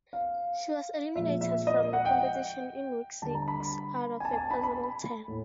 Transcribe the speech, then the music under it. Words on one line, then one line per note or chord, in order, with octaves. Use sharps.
She was eliminated from the competition in week six out of a possible ten.
F5
A#2 F3 G#3 E5
E5
D#5
F#5
G5
D3 G3 A5
A#5
B5
B5
G#5
A5
G#5
A5
B5
B5
A2